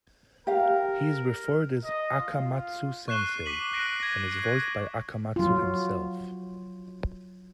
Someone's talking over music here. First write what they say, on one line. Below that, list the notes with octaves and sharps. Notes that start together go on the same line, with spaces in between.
He is referred as Akamatsu Sensei, and is voiced by Akamatsu himself.
G4 A#4 F5
D#5
F4
C#6 F#6 C7 E7 G7
D6 B6 D#7 F#7
F#6 A#6 C7 D7 D#7
G#6 A#6
F#6
F#3 F4